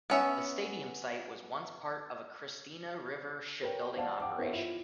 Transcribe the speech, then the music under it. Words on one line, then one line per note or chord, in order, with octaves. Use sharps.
The stadium site was once part of a Christina River shipbuilding operation.
B3 C#4 E5
A#4 B4 C#5 G5
C5 D5 F5 F#5 A5
F#5 G5 D6
B3 E4 A#4 C5 C#5 E5
E4 F4